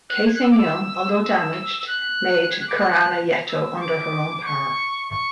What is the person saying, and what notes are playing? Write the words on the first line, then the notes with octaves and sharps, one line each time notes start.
"Cassin Young", although damaged, made Kerama Retto under her own power.
F#6
G#6
F#6
E6
D6
E6
E6
F#6
G#6
F#6
D6
F#6
E6
C#6
D6
C#6
C#6